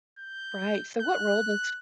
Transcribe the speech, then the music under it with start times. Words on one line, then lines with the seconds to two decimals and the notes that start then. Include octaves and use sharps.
Right. So what role does
0.19 G6
1.02 F#6